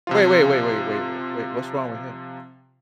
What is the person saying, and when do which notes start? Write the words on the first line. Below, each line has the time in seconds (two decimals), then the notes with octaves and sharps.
Wait, wait, wait, wait, wait, wait, wait, what's wrong with him?
0.07 C3 F3 F4